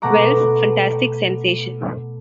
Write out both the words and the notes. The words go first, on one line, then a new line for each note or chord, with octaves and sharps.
Wells' Fantastic Sensation.
B2 A3 F#5 A#5 D6